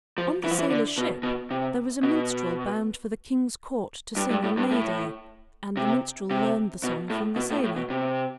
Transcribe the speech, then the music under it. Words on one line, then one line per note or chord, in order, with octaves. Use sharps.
On the sailor's ship there was a minstrel bound for the king's court to sing on May Day; and the minstrel learned the song from the sailor.
F3
E3
F3
E3
D3
B2
B2
C3
B2
G2
G2
A2
G2
A2
C3
C3
B2
A2
B2
A2
A2
B2
C3